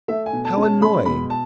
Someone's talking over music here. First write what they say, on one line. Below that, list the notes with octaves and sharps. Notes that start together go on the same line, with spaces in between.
'How annoying!
A3 E5
G#5
B2
A5
C#4
A5
G#3 B5
B2 B5
A5